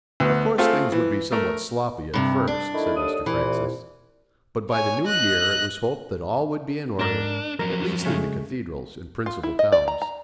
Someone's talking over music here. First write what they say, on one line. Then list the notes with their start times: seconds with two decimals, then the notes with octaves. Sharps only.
Of course things would be somewhat sloppy at first, said Mr. Francis; but by the New Year it was hoped that all would be in order, at least in the cathedrals and principal towns.
0.20 D2 B3
0.58 A3 C4 F4 G#4 A4
0.92 E3
1.32 A3 A#4
2.14 G2 C3
2.47 D4
2.72 D#3 A3 E4
2.97 D#2 A4 D#6
3.26 C2 A#2 E3
4.70 C#5 G#5
5.05 D#5 F#6
6.99 G#2 D4 A#4
7.59 F2 F#3 A#4
8.05 C#3 G#3 A3
9.26 F4
9.43 E4
9.59 D#5
9.72 D5
9.88 A#5
10.02 A#5